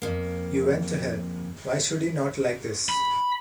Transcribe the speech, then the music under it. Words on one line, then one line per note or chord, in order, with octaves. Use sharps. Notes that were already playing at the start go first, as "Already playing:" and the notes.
You went to help. Why should he not like this?
F2 A#3
B5